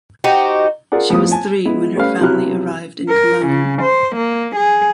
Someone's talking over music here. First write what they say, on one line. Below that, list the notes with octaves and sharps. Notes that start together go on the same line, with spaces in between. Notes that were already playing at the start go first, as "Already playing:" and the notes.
She was three when her family arrived in Cologne.
D#4 F#4 G4 C5
F4 G#4 A#4 D5 F#5
F2 A2 B3 D#6
G#5 A5
G#3 B3 E4
G3 A3 C#4 B4 F5
B1 C3 F#3 E4 F6 F#6
A#4
C#3
C5
A#3
G#4